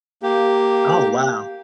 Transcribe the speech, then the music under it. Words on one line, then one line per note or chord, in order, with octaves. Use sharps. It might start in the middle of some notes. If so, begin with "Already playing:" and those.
Oh, wow.
A#3 G4